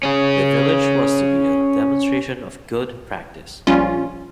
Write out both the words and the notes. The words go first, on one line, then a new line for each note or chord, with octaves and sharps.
The village was to be a demonstration of good practice.
C#4 G#4
A#1 G3 C#4 F4